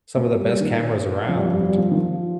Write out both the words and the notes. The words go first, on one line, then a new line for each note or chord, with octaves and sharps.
some of the best cameras around.
A#3
G3
D#3
F3
G3
F3
G3
F3
G3
F3
D#3
F3